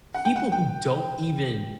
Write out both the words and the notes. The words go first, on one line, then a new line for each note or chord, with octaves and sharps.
people who don't even
F#5
G5
F#5
G5